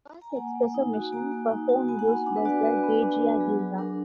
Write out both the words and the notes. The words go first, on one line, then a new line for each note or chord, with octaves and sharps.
The first espresso machine for home use was the Gaggia Gilda.
A#5
G#5
A#3 F#5
A#3
D#4
F#4
A#3 A#5
A#3
D#4
F#4
B3 G#5
F#5
B3 G#5
D4 F#5
B4
F#4 D5
B3 B4
B3
D4
F#4
F#3 G#4
F#3
D4 A#4